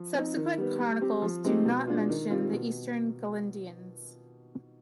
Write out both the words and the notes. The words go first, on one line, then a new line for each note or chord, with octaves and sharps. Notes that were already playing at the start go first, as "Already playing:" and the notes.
Subsequent chronicles do not mention the Eastern Galindians.
Already playing: F3
C4 D#4
D#3
G3 B3
G3
C4 G4
F3
G#3 C4 D#4 G4
B2
G#3 D4 F4
D#3
G3 C4 F4
B2